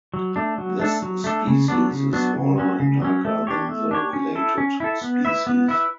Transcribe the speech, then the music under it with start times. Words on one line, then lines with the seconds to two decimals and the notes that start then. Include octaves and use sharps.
This species is smaller and darker than the related species.
0.14 F#3
0.36 A3 D4
0.58 F#3
0.80 A3 D4 A4
1.02 F#3
1.24 A3 D4 A4
1.47 C#3
1.68 F#3 B3 D4
1.91 C#3
2.13 F#3 B3 D4
2.36 C#3
2.58 F#3 C#4
2.80 C#3
3.02 F#3 C#4
3.25 A3
3.47 D4 G4 C#5
3.69 A3
3.91 D4 G4 C#5
4.13 C#4
4.35 E4 A4
4.58 C#4
4.80 E4 A4
5.01 B3
5.25 E4 B4 E5
5.47 B3
5.68 E4 B4 E5